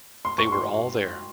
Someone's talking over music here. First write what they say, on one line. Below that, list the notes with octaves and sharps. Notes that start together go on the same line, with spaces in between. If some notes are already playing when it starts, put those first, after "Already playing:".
They were all there.
C6
C#6
C6